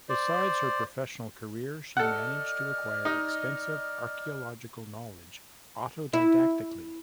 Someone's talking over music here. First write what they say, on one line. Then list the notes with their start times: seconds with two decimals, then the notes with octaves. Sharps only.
Besides her professional career, she managed to acquire extensive archaeological knowledge autodidactically.
0.09 C5 D5
1.97 A4 D5 D#5 F#5 F6
3.05 D#4
6.13 E4